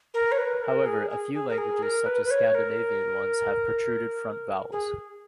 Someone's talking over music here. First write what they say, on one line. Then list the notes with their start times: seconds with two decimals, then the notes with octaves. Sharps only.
However, a few languages, such as Scandinavian ones, have protruded front vowels.
0.14 A#4
0.32 C#5
0.38 B4
0.62 A#4
0.86 G#4
1.10 G#4
1.34 G#4
1.49 A#4
1.58 G#4
1.82 A#4
2.06 B4
2.25 B4
2.31 C#5
2.55 A#4
4.72 G#4